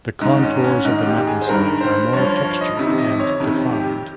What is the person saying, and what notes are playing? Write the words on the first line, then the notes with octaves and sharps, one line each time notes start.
The contours of the mountainside are more textured and defined.
G#2 D#3 D#4
C#4
C#4
G#2 D#3 D#4
G4
G#4
C5
G2 D#3 A#4
C5
G2 F3 C#5
C#5
C#5
D#5
F2 C3 D#3
D#5
C#5
F2 C3 D#3
G4